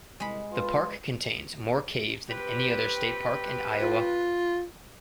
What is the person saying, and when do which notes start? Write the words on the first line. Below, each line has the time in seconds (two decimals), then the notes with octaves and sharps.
The park contains more caves than any other state park in Iowa.
0.20 C2 G#3 B5
0.52 F4 B4
2.29 C4 G4 B4
3.82 F4